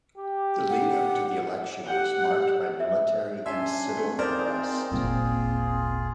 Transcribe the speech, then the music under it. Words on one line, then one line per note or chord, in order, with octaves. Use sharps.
The lead-up to the election was marked by military and civil unrest.
G4
F#5
G4 F#5 G5
E5
C#4 D4 E5 G#5 C6
A3 C4
D#4 F4 G#4 A#4 C5 D5
D#1 G#1 F4 G#4